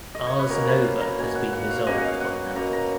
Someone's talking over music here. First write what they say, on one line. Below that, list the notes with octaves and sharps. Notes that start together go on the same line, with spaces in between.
Ars Nova has been dissolved by now.
D#5
C#5
B4
B2 A#3 C#4 A#4
B4
F5
A#5
B2 A#3 C#4 G#5
F#5
F#5
F5
B2 A#3 C#4 D#5
F#5
F5
F#5
B2 A#3 C#4 A#5
A#5